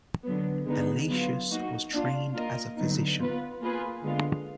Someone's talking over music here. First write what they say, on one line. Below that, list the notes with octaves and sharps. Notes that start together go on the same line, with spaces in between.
Allatius was trained as a physician.
D3 F#3 B3
D3 G#3 B3 D#4
F#3 B3 F4
A#3 D#4 F#4
A#3 D4 F4
A#3 F4 A#4 D#5
D3 F#3 B3 D#4
B3 F4 B4
A#3 F4 G#4 B4
D3 G#3 B3 F4